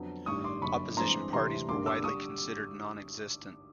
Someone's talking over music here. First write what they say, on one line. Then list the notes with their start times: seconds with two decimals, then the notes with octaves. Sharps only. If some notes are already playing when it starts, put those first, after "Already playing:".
Opposition parties were widely considered nonexistent.
Already playing: F2 D3 F#3 B3
0.26 A1 G2 D#3 G3 C#6 D#6
0.44 C6 D6
0.62 F#1 F#2 D3 B5 C#6
0.97 G2 E3 G#3 C4 A#5 C6
1.33 D2 C3 E3 G3 A#5 C6
1.68 G#1 G2 D3 G3 A#3 C6 D6
1.86 D6 E6
2.04 D3 G3 C#6 D#6